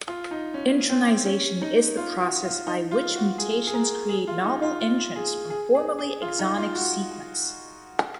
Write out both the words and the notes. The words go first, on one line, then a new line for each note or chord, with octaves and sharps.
Intronization is the process by which mutations create novel introns from formerly exonic sequence.
F4
D#4
C#4
C4
C#4
D#4
F4
F#4
F4
D#4
F4
F#4
G#4
G#4
A#4
G#4
F4
D#4
F4
F4
G#4
G#4
G#4
G#4
F4
D#4
F4
F#4